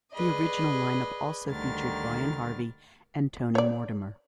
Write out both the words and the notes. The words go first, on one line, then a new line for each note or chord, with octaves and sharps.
The original line-up also featured Brian Harvey and Tony Mortimer.
G#4 B4 D5 D#5
D2 D3 D#3 G3 F6 A6
C#5 D5